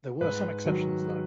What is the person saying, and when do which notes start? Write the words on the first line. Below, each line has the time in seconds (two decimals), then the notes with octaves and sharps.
There were some exceptions though.
0.21 G#2 B4
0.65 D#3 F#3